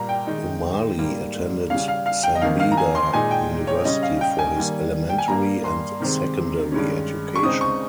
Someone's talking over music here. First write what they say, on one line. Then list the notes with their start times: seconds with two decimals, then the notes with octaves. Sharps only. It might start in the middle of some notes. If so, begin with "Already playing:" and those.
Umali attended San Beda University for his elementary and secondary education.
Already playing: A#2 G3 A#3 A#5
0.09 G5
0.27 D#3 G#3 D#4
0.99 G#2 G3 A#3
1.70 C#3 G3 C#4 F5
1.88 F5
2.06 F5
2.23 G5
2.35 D#5
2.42 F2 D#3 A#3 D#4 F5
2.60 F5
2.72 A#5
2.77 G#5
2.95 C6
3.13 A#2 G#3 D#4 G#5
3.31 G5
3.67 C#5
3.85 C#3 G3 C#4 D#5
4.03 F5
4.21 G5
4.39 G#5
4.56 D#3 G3 A#3
5.09 G5
5.18 G#5
5.28 G2 G3 A#3 A#5
5.64 C6
6.00 C3 D#3 G#3 C4
6.72 G2 D#3 G#3 C#4
7.35 C#6
7.43 C#3 G#3 C4 D#4 D#6
7.61 C#6